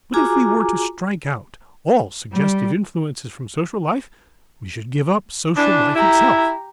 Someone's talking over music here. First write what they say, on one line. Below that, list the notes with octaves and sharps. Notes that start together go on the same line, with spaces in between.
But if we were to strike out all suggestive influences from social life, we should give up social life itself.
F4 F#4 G#4 G#5 A#5 D6
G3
E3 D4
E4 G4 A#5